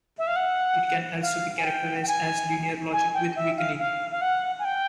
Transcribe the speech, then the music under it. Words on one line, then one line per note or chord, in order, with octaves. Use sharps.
It can also be characterized as linear logic with weakening.
E5
F5
F#5
F5
G#5
G5
G5
G#5
G#5
G5
E5
F5
F5
F5
F#5
G#5
G5